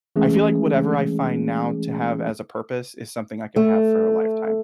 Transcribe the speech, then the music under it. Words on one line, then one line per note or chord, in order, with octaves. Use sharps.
I feel like whatever I find now to have as a purpose is something I could have for a lifetime,
E3 G#3 A3 C#4 G#4
A3